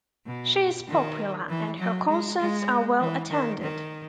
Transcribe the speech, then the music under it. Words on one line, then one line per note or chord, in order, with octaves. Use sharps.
She is popular and her concerts are well attended.
B2
D#3
E3
F#3
G#3
G#3
E3
D#3
D#3